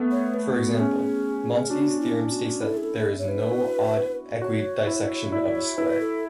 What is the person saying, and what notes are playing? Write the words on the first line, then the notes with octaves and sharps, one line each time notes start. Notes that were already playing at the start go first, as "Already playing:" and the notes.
For example, Monsky's theorem states that there is no odd equidissection of a square.
Already playing: A3 B3
C#5
B4
F#4
C#4 G#4
D4 F#4
E4
F#4
E4 A4
G#4
A4
C#5
B4
F#4
F#4 C#5
E4
E4 D5
C#5
E4 B4
A4